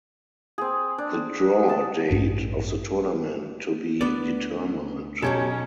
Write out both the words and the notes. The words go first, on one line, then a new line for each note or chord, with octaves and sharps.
The draw date of the tournament to be determined.
C4 G#4
D4
G#4 A5
A1 G2 C#4
D2 B3 D4 B4 D5
B1 F#3 C#4 G4 A4 G#6